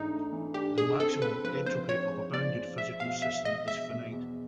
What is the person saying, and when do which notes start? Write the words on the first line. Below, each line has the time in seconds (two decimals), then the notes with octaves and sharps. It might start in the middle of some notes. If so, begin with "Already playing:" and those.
The maximum entropy of a bounded physical system is finite.
Already playing: G#2 E3 A3 D4 D#4
0.10 A3
0.33 E3
0.54 D4 G4
0.77 G#2 G#4
0.99 C4 A4
1.22 G#3 B4
1.44 F3 B4
1.66 F3 C5
1.89 C4 C#5
2.11 G#3
2.33 F3 D5
2.56 F3
2.78 G#3 E5
3.00 B2 F5
3.22 E2 E5
3.45 E2 D#5
3.67 G#3 E5
3.90 B2
4.12 E2